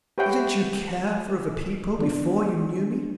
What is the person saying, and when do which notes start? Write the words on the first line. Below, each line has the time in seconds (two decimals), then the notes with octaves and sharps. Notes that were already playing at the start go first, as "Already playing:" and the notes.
Didn't you care for other people before you knew me?
0.18 G4 B4 C#5 E5 F#5 G5
1.98 D#3 B3 D4